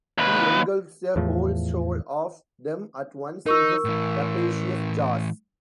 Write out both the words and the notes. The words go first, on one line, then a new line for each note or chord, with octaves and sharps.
He engulfs a whole shoal of them at once in his capacious jaws.
D#2 B4
E2 A2 F3
D#4 A#4 C#6 E6
A2 E3